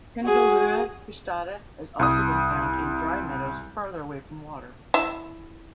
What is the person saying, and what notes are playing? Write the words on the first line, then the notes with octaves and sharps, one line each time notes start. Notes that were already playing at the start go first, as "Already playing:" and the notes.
"Condylura cristata" has also been found in dry meadows farther away from water.
F#4 G#4
C2 D#6
E4 E5